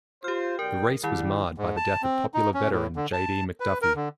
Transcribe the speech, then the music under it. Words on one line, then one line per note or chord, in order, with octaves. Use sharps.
The race was marred by the death of popular veteran J. D. McDuffie.
F4 G4 C5 F6
B1 A#4 D5 G5
D#3 G3 E4
G#2
A5
C4
D#4
C#4
A2
D3
A5
B4
A#4
D3